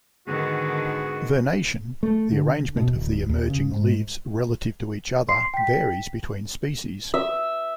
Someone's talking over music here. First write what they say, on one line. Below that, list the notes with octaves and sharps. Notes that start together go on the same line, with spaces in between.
Vernation, the arrangement of the emerging leaves relative to each other, varies between species.
G#2 D3 D#3 B3 F#4 G#4
A3
D3
B2
D1
D#2
C#3
G#2
C6 C7
G5 B6
E5